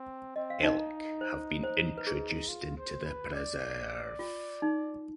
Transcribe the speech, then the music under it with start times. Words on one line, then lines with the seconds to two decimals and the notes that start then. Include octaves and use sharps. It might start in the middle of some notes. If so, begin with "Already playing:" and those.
Elk have been introduced into the preserve.
Already playing: C4
0.36 C4 D#5
0.50 F5
0.63 D#4 D#5
0.78 D#4
1.21 C5
1.63 C5
1.98 B4
2.07 G#4
2.48 F4
2.78 C5
3.05 B4
3.34 D5
4.19 F4
4.62 D#4